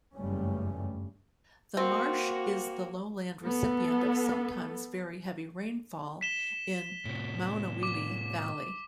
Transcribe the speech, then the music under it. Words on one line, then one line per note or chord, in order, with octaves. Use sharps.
The marsh is the lowland recipient of sometimes very heavy rainfall in Maunawili Valley.
F#1 E2 G2 G3 A3 C#4
A#3 C4 F#4
B3 A4
B6 E7 G7
A2 C3
D6